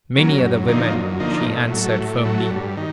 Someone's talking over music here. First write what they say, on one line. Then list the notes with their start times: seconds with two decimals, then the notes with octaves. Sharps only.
"Many other women," she answered, firmly.
0.15 C#3 F#3 A#3
0.41 F#2
0.67 D3 F3 A#3 D#4
0.94 F#2
1.19 D3 F3 A#3 D#4
1.46 A2
1.72 F#3 A3
1.98 A2
2.25 F#3 A3
2.50 G2
2.77 D#3